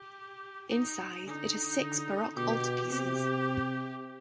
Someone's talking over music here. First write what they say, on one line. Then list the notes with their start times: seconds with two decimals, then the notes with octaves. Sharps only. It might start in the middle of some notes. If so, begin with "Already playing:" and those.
Inside, it has six Baroque altarpieces.
Already playing: G4
0.70 D#4
1.26 D3 D#4
1.80 D3
2.36 B2 G4
2.91 C3 G4